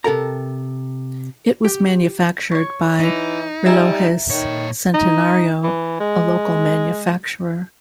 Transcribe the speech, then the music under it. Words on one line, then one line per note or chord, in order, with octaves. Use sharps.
It was manufactured by Relojes Centenario, a local manufacturer.
C3 A4 A#4 A#5
G4
C#5 C#6
E3 D#4
G3 E5 G#5 A#5
A#2 D#3 C#5
D#4
E3
G#3